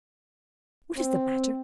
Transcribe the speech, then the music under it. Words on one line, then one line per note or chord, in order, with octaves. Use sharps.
What is the matter?
C4